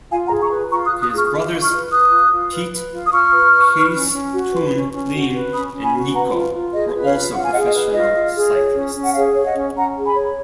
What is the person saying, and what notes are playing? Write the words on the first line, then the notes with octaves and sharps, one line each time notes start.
His brothers Piet, Kees, Toon, Leen and Nico were also professional cyclists.
F4 F5 G#5
F#5 A#5
G#4
A#5 C#6
B4
F4 A#5 C#6
D#6 F#6
F4
D#6 F#6
G#4 C#6 F6
F4
F4
C#6 F6
B4
B4 D#6 F#6
F4
F4
B4
B4
F4
D#6
F4 C#6 F6
B4
B4
B4
C#4
C#4
F#4
B4
C#4
C#4
F#4
B4
C#4 B5 D#6
C#4
G#5 B5
F#4
B4 F#5 A#5
F4
F4
G#4 D#5
B4
C#5 F5
F4
F4 F#5
G#5
G#4 D#5 F#5
D#5
B4
F4 D#5
F4
G#4
C#5
C#4
C#4
F#5
G#4 C#5 F5
C#5
D#5 F#5
C#4
C#4 F#5 A#5
G#4
G#5 B5
C#5